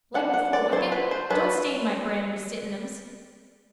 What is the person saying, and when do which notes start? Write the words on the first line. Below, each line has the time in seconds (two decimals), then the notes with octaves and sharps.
Leg before wicket. Don't stain my brandnew sitinems.
0.14 G3 D4 F#5
0.34 F#5
0.53 D5
0.72 F#3 C4 E4 C5
0.92 B4
1.11 C5
1.30 F#3 B3 D4 B4